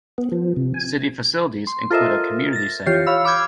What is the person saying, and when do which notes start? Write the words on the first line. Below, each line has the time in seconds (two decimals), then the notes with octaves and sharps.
City facilities include a community center.
0.18 B3
0.32 F3
0.56 C3
0.74 G#5
1.67 C6
1.90 F4 A4 A#4 C5 D#5 E5
2.53 A6 A#6
2.86 E3 F4 G4 C#5 C7
3.06 C#5 F5 B5 E6
3.24 B5 D6 E6 F6 G6 G#6